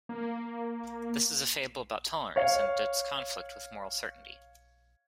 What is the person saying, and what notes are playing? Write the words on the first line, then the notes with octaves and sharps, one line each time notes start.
This is a fable about tolerance, and its conflict with moral certainty.
A#3
C#5 F5